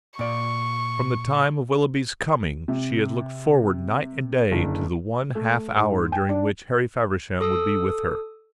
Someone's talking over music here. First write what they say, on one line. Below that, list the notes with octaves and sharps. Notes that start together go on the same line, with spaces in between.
From the time of Willoughby's coming she had looked forward night and day to the one half-hour during which Harry Feversham would be with her.
A#2 D5 C#6
C3
F#1 D3
A3
G#2
G5
D4
A4 D#6 E6